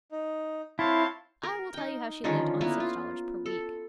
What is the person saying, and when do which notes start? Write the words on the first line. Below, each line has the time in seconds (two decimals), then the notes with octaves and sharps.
I will tell you how she lived on six dollars per week.
0.12 D#4
0.79 C4 E4 C#5 F5 A5 C6
1.43 A#4
1.74 D#4 G5
2.24 D3 D#3 F3 C#4
2.61 A#3 B3 E4 B4
2.80 F4
3.46 A4